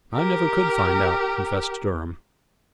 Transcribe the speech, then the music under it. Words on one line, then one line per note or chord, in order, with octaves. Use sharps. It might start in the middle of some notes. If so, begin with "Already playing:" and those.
"I never could find out," confessed Durham.
G4 A#4